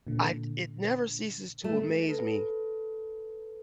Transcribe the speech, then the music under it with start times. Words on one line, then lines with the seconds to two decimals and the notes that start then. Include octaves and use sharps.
I it never ceases to amaze me
0.07 A#2 D3
1.64 A3
2.09 A4 B4